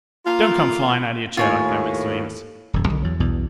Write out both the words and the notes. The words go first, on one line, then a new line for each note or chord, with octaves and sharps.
Don't come flying out of your chair like that, Mr Venus!'
A#3 F4
D#2 A2 F4 C#5 G#5
D#1 F#2
B1 D3 D#3
E2 F#3
B1 E2 G2 B2